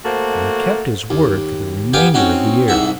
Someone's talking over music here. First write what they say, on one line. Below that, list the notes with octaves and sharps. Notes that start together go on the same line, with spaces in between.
And he kept his word for the remainder of the year.
A3 A#3 F#4 A4 C5
D#2
B3 G4 F5 G5 G#5
C4 C#4 D#4 F#4
C2 G#2 E5 F#5